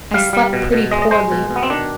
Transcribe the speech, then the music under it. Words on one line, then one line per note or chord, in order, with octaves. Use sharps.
I slept pretty poorly.
G3 F5
G3
B2
B2
G#3 D#5
D#5
G#3 C5
B2
B2
B3
C4
D#3 D4